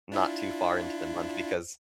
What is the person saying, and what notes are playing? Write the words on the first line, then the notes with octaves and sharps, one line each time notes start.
not too far into the month because,
D4 E4 F4